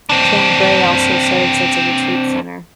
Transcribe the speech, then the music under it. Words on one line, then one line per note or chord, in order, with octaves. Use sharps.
Camp Gray also serves as a retreat center.
C4 D4